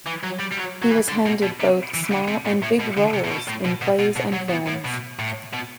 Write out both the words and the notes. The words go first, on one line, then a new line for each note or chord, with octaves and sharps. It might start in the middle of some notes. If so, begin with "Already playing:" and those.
He was handed both small and big roles in plays and films.
E3
F#3
G3
G3
F#3
F#3
E3
D3
B2
B2
C3
E3
D3
C3
A2
A2
B2
D3
C3
A2
B2
A2
B2
B2
B2
B2
F#3
B2
A2
B2
A2
B2